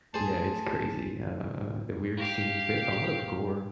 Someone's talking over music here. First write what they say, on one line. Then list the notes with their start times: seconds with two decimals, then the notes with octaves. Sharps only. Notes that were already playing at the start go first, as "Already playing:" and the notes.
Yeah, it's crazy, uh, e weird scenes, ver a lot of gore.
0.14 A3 G#4 C5 A5
2.17 G4 F5